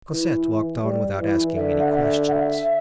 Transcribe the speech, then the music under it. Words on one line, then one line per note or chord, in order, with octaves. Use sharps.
Cosette walked on without asking any questions.
E3
G3
E3
D3 E5
F#5
E5
F#5
E5